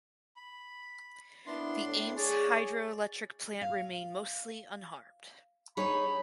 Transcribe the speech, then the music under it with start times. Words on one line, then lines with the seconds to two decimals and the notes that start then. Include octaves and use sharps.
The Ames Hydroelectric plant remained mostly unharmed.
0.36 B5
1.47 D#2 B3 D4 E4 C6
1.83 A2
2.16 G#4 C#5 D5
3.61 F5
5.77 D#4 G#4 C#5 B5